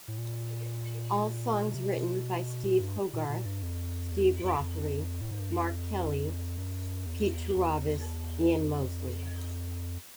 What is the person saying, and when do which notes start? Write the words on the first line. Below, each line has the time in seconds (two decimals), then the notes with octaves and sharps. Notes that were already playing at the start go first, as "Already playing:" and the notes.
All songs written by Steve Hogarth, Steve Rothery, Mark Kelly, Pete Trewavas, Ian Mosley.
0.08 A2
0.18 A#2
1.65 B2
1.74 C3
1.84 B2
2.64 A#2
2.80 G2
3.13 A#2
3.30 A#2
3.46 G2
3.63 F2
4.12 E2
4.28 F2
4.44 F2
4.60 F2
5.21 A2
5.31 G#2
5.40 G2
5.49 F#2
5.58 F2
6.57 F#2
7.06 E2
7.14 F2
7.20 E2
7.27 F2
7.34 E2
7.56 E2
8.54 F2